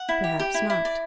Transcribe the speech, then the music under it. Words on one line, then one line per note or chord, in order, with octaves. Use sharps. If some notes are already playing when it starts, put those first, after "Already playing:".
"Perhaps not."
Already playing: F#5
E4
G4
G4
E4
E4
D5